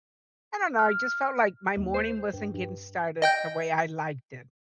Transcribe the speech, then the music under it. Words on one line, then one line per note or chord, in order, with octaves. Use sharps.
I don't know, I just felt like my morning wasn't getting started the way I liked it.
F6
D#2
C5
G2
G2
D#5 G5 G6